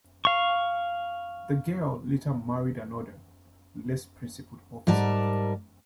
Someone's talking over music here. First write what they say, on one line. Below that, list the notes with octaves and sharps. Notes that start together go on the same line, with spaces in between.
The girl later married another, less principled officer.
F5 C#6
G#2 G3 A#4 D5 A5